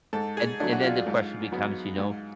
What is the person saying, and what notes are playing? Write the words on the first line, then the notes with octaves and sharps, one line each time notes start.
and and then the question becomes, you know,
G#2 A4
G#4
F#3 A3 D4
F#4
F4
G#2
F#3 B3
G#2